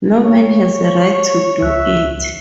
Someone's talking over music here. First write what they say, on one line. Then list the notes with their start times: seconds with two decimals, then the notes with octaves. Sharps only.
No man has a right to do it.
0.25 C#5
1.62 C#2 E5 F#6